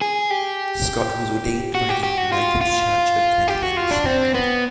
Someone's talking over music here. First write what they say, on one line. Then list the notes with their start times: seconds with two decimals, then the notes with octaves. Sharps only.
Scott was ordained by the United Church of Canada in the same year.
0.01 G#4
0.31 G4
1.75 F#4
1.89 G4
2.03 G4
2.17 F#4
2.32 F4
2.61 F4
3.48 G4
3.62 F#4
3.77 F4
3.91 D4
4.06 C4
4.34 B3